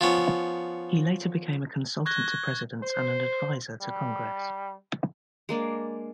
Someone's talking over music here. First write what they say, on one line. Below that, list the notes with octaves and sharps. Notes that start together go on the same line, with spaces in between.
He later became a consultant to presidents and an adviser to Congress.
F3 B3 C#4
C#6 F#6 G#6 A#6 G7
C5
G3
G#3 A#3 D4